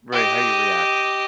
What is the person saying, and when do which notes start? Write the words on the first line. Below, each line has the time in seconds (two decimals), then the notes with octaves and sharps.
Right, how you react?
0.12 G4 D#5